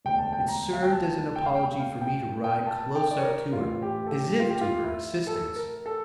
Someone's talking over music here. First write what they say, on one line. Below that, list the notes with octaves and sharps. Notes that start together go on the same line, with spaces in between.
It served as an apology for me to ride close up to her, as if to her assistance.
E1 D2 D3 G5
A5
G5
A#5
F5
G5
A5
G5
F5
G5
F5
G5
G5
A5
G5
D5
C#5
A#4
A1 A2 E3 F4
G4
A4
G4
F4
G4
F4
E4
A4
A#4
A4